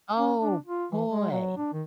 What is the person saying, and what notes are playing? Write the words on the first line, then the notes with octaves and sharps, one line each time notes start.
Oh, boy.
C#4
D4
F4
E3
G#3
F#3
D4
D#3